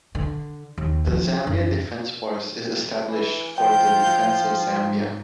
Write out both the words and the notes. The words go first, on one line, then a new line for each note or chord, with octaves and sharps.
The Zambian Defence Force is established for the defence of Zambia.
D3
D#2
F3
F#2
E3
F3 F4 G5 G6
G#2